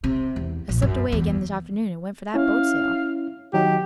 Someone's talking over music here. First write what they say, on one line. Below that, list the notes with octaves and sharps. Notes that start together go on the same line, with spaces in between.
I slipped away again this afternoon and went for that boat sail.
C3
E2
A#1
F#2
E2
C#4 E4 F5
D#3 F#3 D#4 G4